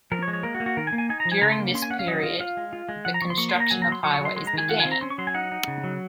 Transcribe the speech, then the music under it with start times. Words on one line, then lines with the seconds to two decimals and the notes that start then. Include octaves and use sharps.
During this period, the construction of highways began.
0.12 F3 A#4
0.22 C#5
0.28 G#3
0.33 C#5
0.43 A#3 A#4
0.54 F#4
0.60 A#3
0.66 F#4
0.77 D#3 A#4
0.87 G#5
0.93 A#3
0.98 G#5
1.09 D#4 G#5
1.20 A#5
1.25 F3
1.32 G#5
1.41 C#3 A#5
1.52 C6
1.59 A#3
1.74 C#4 C6
1.82 G#5
1.90 C#4 F#5
1.99 F5
2.07 F#3 D#5
2.23 F4
2.40 F4 F5
2.57 G#3
2.73 F4
2.89 G#3
3.05 F3 F#5
3.14 A#5
3.22 F3 C#6
3.30 C6
3.38 A#3 C#6
3.49 C6
3.54 A#3
3.60 A#5
3.70 F#3 G#5
3.82 A#5
3.87 F#3
3.92 C6
4.03 F#3 C#6
4.14 C#6
4.20 F#3
4.25 C6
4.36 G#3 C6
4.47 A#5
4.53 D#3 G#5
4.69 F4 F#5
4.80 G#5
4.85 C4
4.91 A#5
5.01 C#4 C6
5.10 C#6
5.18 F#3 C6
5.27 G#5
5.34 D#4 F#5
5.52 D#4
5.68 C#3
5.84 F#3